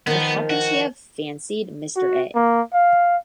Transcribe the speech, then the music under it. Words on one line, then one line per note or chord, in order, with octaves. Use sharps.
But how can she have fancied Mr A.?
D#3 F3 B3
F#4
F#4
A#3
F5